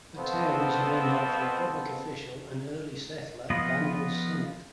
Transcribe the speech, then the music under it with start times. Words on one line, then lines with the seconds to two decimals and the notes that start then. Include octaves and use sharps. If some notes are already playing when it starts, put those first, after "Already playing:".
The town is named after a public official and early settler, Daniel Sennett.
0.16 B2 F3 B3 C4 A4
3.50 F3 B3 F4 B4 D#5